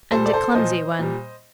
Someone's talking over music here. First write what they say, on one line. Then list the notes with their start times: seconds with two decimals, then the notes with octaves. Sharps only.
And a clumsy one.
0.11 A#2 G3 A4 C5
0.26 D5
0.33 A4 C5
0.54 A#2 F3 C5 D#5
0.99 A#2 G3